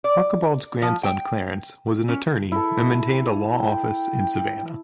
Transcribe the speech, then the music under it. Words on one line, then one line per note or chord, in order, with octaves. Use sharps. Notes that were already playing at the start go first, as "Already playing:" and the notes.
Archibald's grandson, Clarance, was an attorney and maintained a law office in Savannah.
D5
F3
G5
C#4
E4 A4
G5